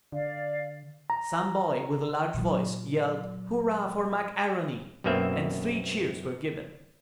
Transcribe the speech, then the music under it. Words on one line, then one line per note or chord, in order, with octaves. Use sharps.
Some boy with a large voice yelled, "Hurrah for Mac A'Rony!" and three cheers were given.
D3 D5 F5
A#5
A#2 F#3
B1 F#2 B2 A#3 C4 E5